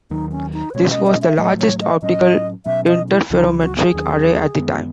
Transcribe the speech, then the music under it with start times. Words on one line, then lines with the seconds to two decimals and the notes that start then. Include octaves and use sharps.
This was the largest optical interferometric array at the time.
0.10 D#2 D#3 F#3 D#4
0.32 C#4
0.53 D#4
0.70 B4
0.75 B2 G#3 C#4 C#5
0.91 D#5
1.06 D#5
1.22 E5
1.38 A2 F#3 A3 D#5
1.60 C#5
1.81 D#5
2.02 A2 F#3 C#4 D#5
2.66 B2 F#3 C#4 E5
2.87 D#5
3.09 E4
3.30 C#2 C#3 F#3 E4
3.39 D#4
3.46 E4
3.62 F#4
3.78 G#4
3.94 D#2 D#3 F#3 C#4
4.58 F#2 D#3 G#3 B3